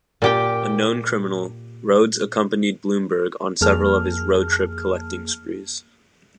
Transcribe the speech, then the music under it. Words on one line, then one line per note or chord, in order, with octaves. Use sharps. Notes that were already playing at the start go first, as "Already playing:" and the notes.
A known criminal, Rhodes accompanied Blumberg on several of his "road trip" collecting sprees.
A#2 G4 G5
F2 A#3 G#4 A5 F6